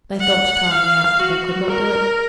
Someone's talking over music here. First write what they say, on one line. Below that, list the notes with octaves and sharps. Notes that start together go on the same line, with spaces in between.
They thought to tire me out, but they could not do it.
F#5
F5
F#4
A#4